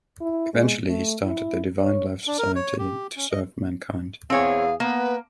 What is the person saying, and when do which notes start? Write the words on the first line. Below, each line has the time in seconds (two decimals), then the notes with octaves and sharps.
Eventually, he started the Divine Life Society to serve mankind.
0.21 E4
0.54 G#3
0.89 A3
1.24 E4
1.82 C#5
2.27 D4
2.38 A#4
2.55 C#5
2.79 G4
3.17 C#4
3.31 D#5
4.30 E2 C4 G#4 C#5 F5
4.80 A#3 B3 B4